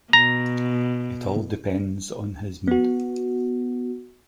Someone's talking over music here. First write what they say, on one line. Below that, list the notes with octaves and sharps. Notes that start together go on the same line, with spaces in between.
It all depends on his mood.
B2 A#5
B3 F#4